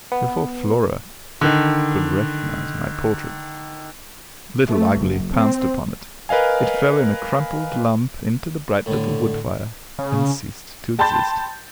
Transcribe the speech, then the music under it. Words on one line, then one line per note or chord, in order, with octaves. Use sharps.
Before Flora could recognize my portrait, Little Ugly pounced upon it; it fell in a crumpled lump into the bright little wood fire, and ceased to exist.
B3
D3 D#3
A3
F#1
C4
A#4 B4 D#5 F5 G#5
A2 D3
C#3
G5 A5 B5 C6 G6 A6